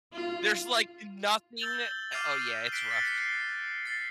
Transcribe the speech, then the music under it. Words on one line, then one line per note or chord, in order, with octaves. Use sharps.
There's, like, nothing uh, oh yeah, it's rough.
F4
E6 G6 A6 F#7 G7
D6 F6 C7 D#7 F7 F#7
F#6 B6 D7 G7
F#6 A6 C#7
F#6 C7
A6 C7